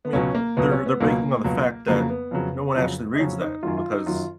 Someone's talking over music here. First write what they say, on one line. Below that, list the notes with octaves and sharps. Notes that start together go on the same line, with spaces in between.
I mean, they're they're banking on the fact that no one actually reads that because
B3
C#2 B2 F#3 C#4
A#3
C#2 B2 F#3 B3
C#4
B3
C#2 B2 F#3 A#3
C#2 B2 F#3
F2 C#3 F#3 A#3
B3
F2 C#3 F#3
F2 C#3 F#3
D#4
F2 C#3 F#3 C#4
D#4
F#2 D#3 F#3 F4
F4
D#4
F#2 D#3 F#3 F4